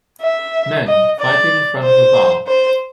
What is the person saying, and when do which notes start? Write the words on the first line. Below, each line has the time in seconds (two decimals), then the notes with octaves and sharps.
Men fighting in front of a bar.
0.22 E5
0.87 D#5
1.19 D5
1.83 C5
2.47 C5